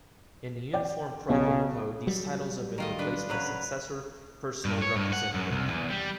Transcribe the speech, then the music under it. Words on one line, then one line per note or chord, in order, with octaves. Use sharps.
In the Uniform Probate Code, these titles have been replaced by successor personal representative.
D5 G5
B1 C#3
F#3 G3
D#3 F4 D#5
D4 B4
C#3 F#3 B4
G2
C#5
G2
F#5
F#2
C2
E2
G3